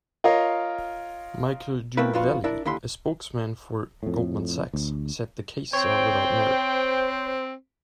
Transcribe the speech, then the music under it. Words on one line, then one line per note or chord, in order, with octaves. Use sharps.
Michael DuVally, a spokesman for Goldman Sachs, said the cases are without merit.
F4 A#4 C#5 D#5 F5
A3 A#3 C4 E4 A#4 B4
F2 D4 F4 F#4 B4
D4 E4 A#4 D5
D#2 D3 E4 B5 C6
F2 A2
D2
C4 C5 C#5 G5